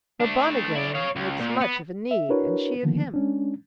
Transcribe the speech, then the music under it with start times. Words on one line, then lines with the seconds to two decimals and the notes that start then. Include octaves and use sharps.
Mabonagrain makes much of Enide, and she of him.
0.20 A3 D4
0.75 E4 D5
0.95 C#5 F5
1.16 C#2
1.40 A#2
1.61 B3
2.11 E5
2.29 D4 E4 F#4 A#4 B4 C#5
2.83 D3 D#3 F3 A#3 B3
3.14 G#3 C#4 D4